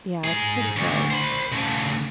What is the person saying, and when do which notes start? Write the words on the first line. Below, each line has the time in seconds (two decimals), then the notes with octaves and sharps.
Yeah, it's pretty gross.
0.24 G#2 G#4
0.77 D2
1.11 C5 B5
1.52 C#3 A3